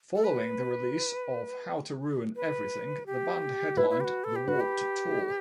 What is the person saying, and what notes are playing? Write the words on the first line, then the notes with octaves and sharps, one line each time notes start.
Following the release of How to Ruin Everything, the band headlined The Warped Tour.
A4
B4
B4
G4
E4 B4
E4
G4
F#4
A4
G4
F#4 B4
G4